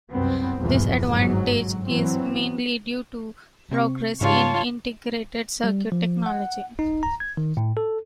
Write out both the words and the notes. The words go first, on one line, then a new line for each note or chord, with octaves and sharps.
This advantage is mainly due to progress in integrated circuit technology.
C2 F#2 B3 C4
B1 E2 G2 A#2 E3 F3
G1 G#2 F#3
E3 F#3 C4
C3 C4 C#6
G#2 C#3 G3 F4 C#5 A5
G3
F3
F#5
D#4
A#5
G#6
D#3
A2
A4